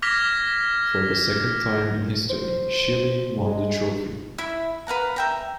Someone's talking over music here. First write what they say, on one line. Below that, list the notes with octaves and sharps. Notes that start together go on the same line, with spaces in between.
For the second time in history, Chile won the trophy.
D6 F6 G#6 A#6 B6 F7
C5
G#3
E4 E5
B4 F5 F#5 A#5
E5 G5 A#5